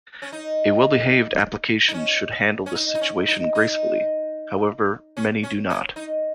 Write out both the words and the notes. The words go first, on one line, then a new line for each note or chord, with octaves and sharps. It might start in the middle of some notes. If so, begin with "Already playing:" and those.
A well-behaved application should handle this situation gracefully; however, many do not.
C#4
D#4
D#4
C#4
C#4
D#4
D#4
C#4
D#4
D#4
C#4
C#4
C#4
D#4